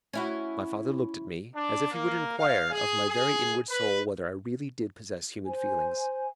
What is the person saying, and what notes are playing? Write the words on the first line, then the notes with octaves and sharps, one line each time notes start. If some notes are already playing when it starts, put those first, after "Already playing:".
My father looked at me, as if he would inquire of my very inward soul whether I really did possess human feelings?
C#4 E4 F#4
D4
A#3
F5
G#4
G#4
B4
C5 G#5